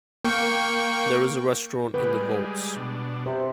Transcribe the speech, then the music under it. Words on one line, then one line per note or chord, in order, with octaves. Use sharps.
There is a restaurant in the vaults.
A#3 G5 C#6
C#3 B3 G4 B4
G3 G#3
B2 D4
C3 C5